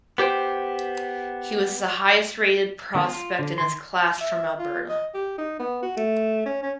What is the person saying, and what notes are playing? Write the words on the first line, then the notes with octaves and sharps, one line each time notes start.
He was the highest rated prospect in his class from Alberta.
B3 G4 C5 G5
D3 D#3 G#3 B3 C#4
F4
D3
D#3 C6
E5
F4
D#5
G4
D#4
B3
F#4
A3
C#4
C#4